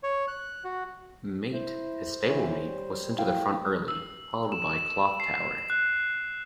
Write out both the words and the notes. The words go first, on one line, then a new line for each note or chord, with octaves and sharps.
Mate, his stablemate, was sent to the front early, followed by Clock Tower.
C#5
F#6
F#4
E4 C5
E3 C#5
G3
E4 F5 G5
E6
E7
C7
F#6